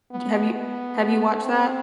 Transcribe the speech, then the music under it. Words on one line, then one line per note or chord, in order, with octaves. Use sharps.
Have you have you you watched that?
B3
B3
C4